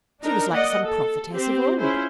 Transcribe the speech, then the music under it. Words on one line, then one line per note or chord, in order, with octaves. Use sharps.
She was like some prophetess of old.
D4 D#4 A#4 A#5
A#3 D5 D#5 F#5
A4
C4 G4 C5
C#4 E4 F4 G#4 C5